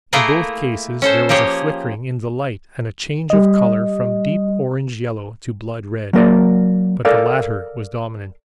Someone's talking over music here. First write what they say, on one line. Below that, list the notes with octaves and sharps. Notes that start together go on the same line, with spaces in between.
In both cases there was a flickering in the light and a change of colour from deep orange yellow to blood red, but the latter was dominant.
A3 A#3 E4 F4 G#4 A#4
C#4 A4 C5
F3 A#3 G4 G#4 C#5
G3 D#5
F#3 A#3 A#4 D5
A4 A#4 D5 F5